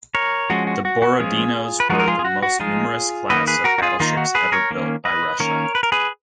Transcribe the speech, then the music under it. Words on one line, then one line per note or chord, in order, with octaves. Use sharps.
The "Borodino"s were the most numerous class of battleships ever built by Russia.
A#4 C#5
F3 G#3 C#4 F#4
F#4
F#4
F#4
F3 G#3 C#4 F4 G#4
B4
F3 G#3 D#4 F#4 A#4
A#4
F4 G#4
G#4
F#4
F#4
F3 G#3 D#4 F4 G#4
D#3 A#3 D#4 B4 D#5
G#4 B4
F#4 A#4
F#4
F4 G#4
D#3 A#3 D#4 F4
F#4
G#4 B4
A#4 C#5
D#3 A#3 C#4
B4 D#5
D#3 A#3 C#4 A#4 C#5
B4
A#4
G#4 B4